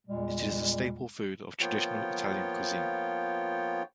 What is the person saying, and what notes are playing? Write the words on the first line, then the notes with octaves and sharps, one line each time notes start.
It is a staple food of traditional Italian cuisine.
E2 A#2 G3 G#3
F3 A#3 B3 F4 C#5 G5